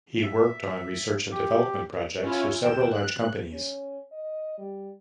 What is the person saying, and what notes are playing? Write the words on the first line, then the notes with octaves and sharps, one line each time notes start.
He worked on research and development projects for several large companies.
E5
G4
C#4 E4 F4 G#5
D#2 G5 E7
F#6
C#4
D#5
G3